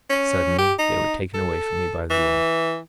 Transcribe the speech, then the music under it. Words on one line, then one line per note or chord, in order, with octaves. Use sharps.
Suddenly they were taken away from me by the law.
C#4
G4
D#4
A4
E3